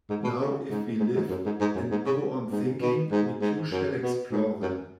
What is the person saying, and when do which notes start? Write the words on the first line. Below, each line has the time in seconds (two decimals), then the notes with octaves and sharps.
Now if we live, and go on thinking, we too shall explore them.
0.10 G#2
0.24 B2
0.40 C#3
0.70 G#2
0.99 G#2
1.15 G#2
1.29 F#2
1.46 G#2
1.61 G#2
1.75 F#2
1.91 G#2
2.05 C#3
2.51 G#2
2.81 B2
3.11 G#2
3.41 G#2
3.72 F#2
4.02 B2
4.32 G#2
4.62 F#2